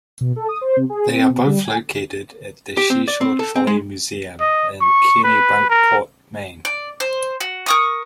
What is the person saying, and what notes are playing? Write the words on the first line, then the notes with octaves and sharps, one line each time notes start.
They are both located at the Seashore Trolley Museum in Kennebunkport, Maine.
B2
A4
D#6
C5
C3
G#4
C4
B2
G3
G#5
G4
C4
D5
C4
A4
C4
G#3
D#5
C#6
B4
A#4
D5
C5
F#4
A#4 C#6 D#6